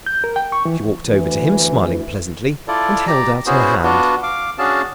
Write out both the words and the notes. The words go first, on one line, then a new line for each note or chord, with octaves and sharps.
She walked over to him, smiling pleasantly, and held out her hand.
G6
A#4
G5
C#6
E3
D2 E3
E4 F4 A4 D5
G4 D5 A#5
B3 C#4 E4 F#4 G#4 C5
B3 D4 F4 F#4
F5 D6
C#4 D4 F#4 G#4 F5 A5